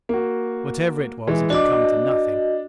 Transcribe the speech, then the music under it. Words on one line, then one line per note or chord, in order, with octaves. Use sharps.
Whatever it was, it had come to nothing.
A#3 F#4
E3 G#3
D4 F#4 D#5 D6